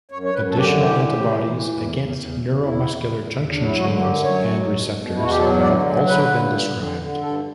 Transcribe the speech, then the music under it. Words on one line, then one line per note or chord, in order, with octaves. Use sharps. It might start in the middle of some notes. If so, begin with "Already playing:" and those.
Additional antibodies against neuromuscular junction channels and receptors have also been described.
F#2 C#5
C#5
F#2 B4
A4
D3 G4
E3 G4
A2
E3
E3
E2
E2
E2
E2
E2 E4
E2
E2
E2
F#3 D4
E4
D3 F#4
F#2 G4
F#3 C#5
B2
B2
B2
E2 E4
F#4
G4
F#3 A4
D3 D5
F#3
D3 B4
G2
D3
D3
D3
G2 A4